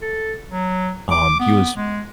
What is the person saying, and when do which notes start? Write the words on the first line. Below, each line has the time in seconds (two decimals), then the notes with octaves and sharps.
Um, he was
0.01 A4
0.49 F#3
1.11 D6
1.40 B3
1.77 G#3